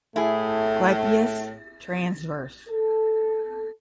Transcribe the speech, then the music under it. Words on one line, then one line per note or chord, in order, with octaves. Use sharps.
Clypeus transverse.
A2 A3 E4 G#4
A4